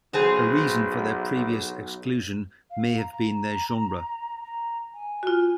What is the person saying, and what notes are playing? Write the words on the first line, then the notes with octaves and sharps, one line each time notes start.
A reason for their previous exclusion may have been their genre.
B1 B3 C4 G#4
F5
A#5
A#5
G#5
F4 F#4